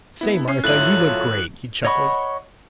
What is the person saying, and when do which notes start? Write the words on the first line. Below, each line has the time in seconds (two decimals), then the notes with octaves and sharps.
'Say, Martha, you look great,' he chuckled.
0.21 B3 E4
0.48 C#4 C7
0.64 G#1 F#3 A3 E4 F4 A4 F#6 F#7
1.85 C#5 D#5 F#5 B5 C#6